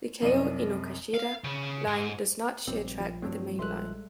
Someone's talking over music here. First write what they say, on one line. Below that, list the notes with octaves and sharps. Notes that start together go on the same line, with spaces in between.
The Keio Inokashira Line does not share track with the Main Line.
C2 F#2 C3 D5 D#5 D#7
F5
C#3
G#2
A#1 G2 G3 C4
F3
G2 F#3 G3 A3 C4
A#1 G3 G#3 A4 E5 C6 F#6